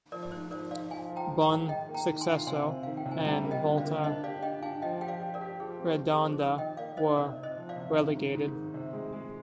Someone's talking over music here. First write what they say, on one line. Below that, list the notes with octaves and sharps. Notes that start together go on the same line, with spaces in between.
Bonsucesso and Volta Redonda were relegated.
F3 A#4 D5
D5
G#2 C5
F3 A#4 D5
D#4 D5 F5
F3 F5 G#5
F3
G5 A#5
G#2
G5 A#5
G#2
D#3 D#5 G5
A#3
G5 A#5
D#3
G#5 C6
F4
C3 G#5 C6
C3
D#3 F5
G5
C3
G#5
G3 G5 A#5
A#3
D#5 G5
D3
D5 F5
A#3
D4 C5 D#5
G4 D5 F5
D4 D#5 G5
D4 F5 G#5
F3 D#5 G5
G4 G5
D5 F5
G4
A#4 D5
G4
F3 G#4
C4
G4
C4
G#4
F3
C5
D#3 A#4
D#4 D#5 G5
A#3 D5 F5
D#4 C5 D#5
C3 A#4 D5
C3
C5 D#5
F3
D5 F5
C3
D#3
G#2
G#2
D#3
C3
G#3
G#3